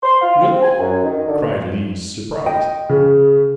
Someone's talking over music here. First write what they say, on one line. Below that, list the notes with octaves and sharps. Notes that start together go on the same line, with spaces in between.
"Really?" cried Lise, surprised.
C6
F5
C4
G#5
F#2
D#3
D3
D#5 G5
C#3